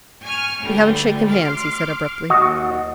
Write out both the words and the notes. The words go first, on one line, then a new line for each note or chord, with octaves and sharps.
"We haven't shaken hands," he said, abruptly.
G#5 C#6 F6
D2 D3 G3
C6 D6 F6
D#2 F#4 D#5